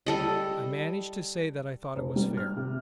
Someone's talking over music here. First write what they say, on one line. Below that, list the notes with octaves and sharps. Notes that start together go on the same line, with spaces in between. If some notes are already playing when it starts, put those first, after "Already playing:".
I managed to say that I thought it was fair.
G3 A4 D#5
F1
G3
F6
C3